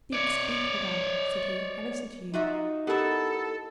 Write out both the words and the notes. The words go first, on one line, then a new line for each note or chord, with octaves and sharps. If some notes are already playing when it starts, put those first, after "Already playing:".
"Speak! speak, madame!" said he, "I listen to you."
C#5 D5
D#4 F4 F#4 E5
B3 E4 G4 A4 A#4